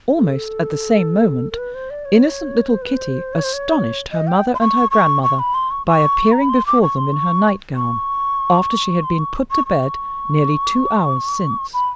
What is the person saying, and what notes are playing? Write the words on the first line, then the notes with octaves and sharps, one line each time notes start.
Almost at the same moment, innocent little Kitty astonished her mother and her grandmother by appearing before them in her night-gown, after she had been put to bed nearly two hours since.
A4
A#4
B4
C5
D5
C#5
C5
B4
C5
C#5
C5
C#5
D#5
G5
C6
C#6
C#6
C#6
B5
C6
C#6
C#6
A#5
B5
C6
D6
C#6
C6
C#6
C#6
C6
C#6
C#6
C#6
B5